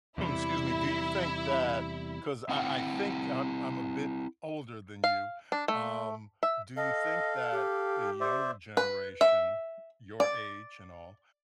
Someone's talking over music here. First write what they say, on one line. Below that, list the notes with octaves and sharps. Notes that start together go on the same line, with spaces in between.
'scuse me, do you think that 'cause I I think I'm I'm a bit older than you. Um, do you think that the younger generation, your age and all,
E2 C3 G3 E4
C4 E4 F#5 G5
F5
D4
A3
E5
A4 D#5 F5
G4
C5 D5 E5
B4
E5
D5